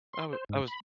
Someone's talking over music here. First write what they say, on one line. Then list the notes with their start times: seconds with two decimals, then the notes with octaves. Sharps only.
I wa I was
0.13 C6
0.33 C5
0.49 G#2
0.68 B5